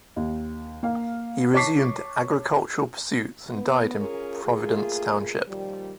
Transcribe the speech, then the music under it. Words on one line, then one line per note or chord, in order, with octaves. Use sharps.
He resumed agricultural pursuits, and died in Providence Township.
D#2
A#3 F5
C#5 A5 C#6 D6 B6 C7
B3
C#4 F4 G#4 A#4
A3 A#3 F4 G#4
A#2 D#3 F3 G3